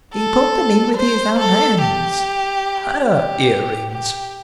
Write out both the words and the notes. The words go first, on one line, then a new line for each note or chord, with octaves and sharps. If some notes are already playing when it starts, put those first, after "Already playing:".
"He put them in with his own hands." HER ear-rings!
A4
C5
A4
G4
G4
G4